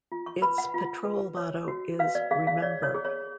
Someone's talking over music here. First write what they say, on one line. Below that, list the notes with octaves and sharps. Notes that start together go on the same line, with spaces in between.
Its patrol motto is Remember!
F4
C#6
B4 B5
F#5
F4
B4
C#5
F#4
B4 F5
D5
G#4 F5
F5
C#5 D5
C#5
G#4
C#5